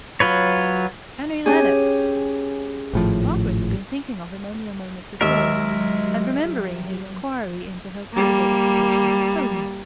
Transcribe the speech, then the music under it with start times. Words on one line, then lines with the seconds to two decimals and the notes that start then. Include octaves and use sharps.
Henry Lennox.' Margaret had been thinking of him only a moment before, and remembering his inquiry into her probable occupations at home.
0.20 F#3 F4 B4 C#5
1.46 C#4 G4 G#4
2.93 G#1 A2 F3
5.21 D#2 F#3 G#3 G4 A#4 E5
8.13 G3 A#3